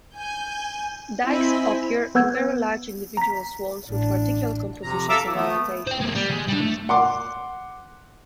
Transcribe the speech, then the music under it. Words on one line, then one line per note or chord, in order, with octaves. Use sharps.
Dikes occur in very large individual swarms with particular compositions and orientations.
G#5 G6
C4 E4 D#5 G#5 B5
B3 B4 F#5 E6 G6 G#6
A#5 B6
A1 D4
F2 C3 A#5
A4 E5 F5 A#5 D6 E6
E3
A3 B3
C5 G5
G#3 A#3
G3
G#3
G3 D4
A3
F#5 C6 D6